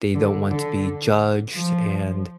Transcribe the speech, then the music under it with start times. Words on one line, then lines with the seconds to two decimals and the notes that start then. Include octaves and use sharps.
they don't want to be judged, and
0.15 D3
0.48 D3
1.53 F3